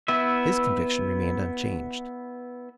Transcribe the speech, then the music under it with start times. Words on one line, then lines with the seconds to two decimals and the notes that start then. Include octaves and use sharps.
His conviction remained unchanged.
0.08 B3 E4 B4 E5